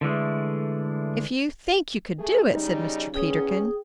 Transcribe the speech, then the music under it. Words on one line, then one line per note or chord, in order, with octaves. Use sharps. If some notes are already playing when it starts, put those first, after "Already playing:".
"If you think you could do it," said Mr. Peterkin.
D3 E3 G#3 A3
A3 G#4
C#3 G3 D#4
E2 C#4 G#4 G5 D#6